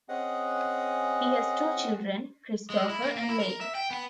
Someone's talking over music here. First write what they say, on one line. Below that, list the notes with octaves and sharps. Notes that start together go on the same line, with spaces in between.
He has two children, Christopher and Leigh.
C4 C#4 G#4 D#5 F#5
G#3
E4
A#3
A#3
E4
A#4
E5
G5
B3